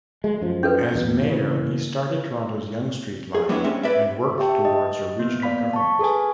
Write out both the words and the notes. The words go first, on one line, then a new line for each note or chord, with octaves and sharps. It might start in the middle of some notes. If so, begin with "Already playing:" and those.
As mayor he started Toronto's Yonge Street line and worked towards a regional government.
G#3
F#2 F3
C#4 A4 B4
E2 G2 B2
C#3 E3 A#3
G#4
G3 A#3 B3 D4 E4 C#5
G3 G#3 C4 C#4
B4 D5 E5
G4 E5 G5 A5
D#5
A#3 B3
D5 F5 B5 B6
A5 C#6
G#4 A4 B4 G#5